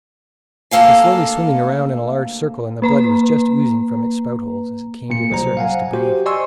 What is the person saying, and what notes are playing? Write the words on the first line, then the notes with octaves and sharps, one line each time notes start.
It was slowly swimming around in a large circle, and the blood was just oozing from its spout-holes as it came to the surface to breathe.
D2 A#3 A4 F5 G#5
A#3 B4 A#5
A#2 A#3 C#7
C2 F#3 C5 A#5
F5 F#5 G#5
F#4 G4 C5
D5 D#5 G#5 C6 C#6 E6